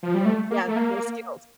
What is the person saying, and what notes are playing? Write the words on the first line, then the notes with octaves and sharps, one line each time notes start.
Mm, yeah, no skills.
F3
G3
A3
A#3
A3
A#3